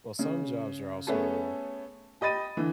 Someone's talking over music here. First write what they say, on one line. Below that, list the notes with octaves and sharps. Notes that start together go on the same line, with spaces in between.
well, some jobs are also
C#3
A3 B3 C#4 G#4 A4 A5
G4 D#5 B5 A6 D#7
D3 E3